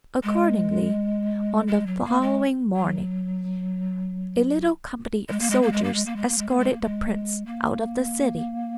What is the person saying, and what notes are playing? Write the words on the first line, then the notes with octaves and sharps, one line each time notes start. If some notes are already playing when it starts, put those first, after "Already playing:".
Accordingly, on the following morning, a little company of soldiers escorted the prince out of the city.
G#3
G#3
F#3
A#3
G#3
F#3
G#3
A#3
G#3
A#3
G#3
A#3
G#3
A#3
G#3
A#3
G#3
A#3
G#3
A#3
G#3
A#3